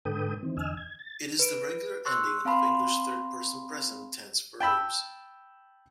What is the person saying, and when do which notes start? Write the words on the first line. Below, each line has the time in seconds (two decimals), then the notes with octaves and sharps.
It is the regular ending of English third person present tense verbs.
0.05 G#2 D3 A4 B4 G5 D#6
0.43 D#3 E3 C4
0.57 E2 D3 D#5 G#5 E6 F6
0.77 G#6
0.99 A6
1.39 B4 D7
2.05 C6 C#6 E6 F#6
2.45 C4 F5 A5 B5 C6
4.60 G5 A5 B5 E6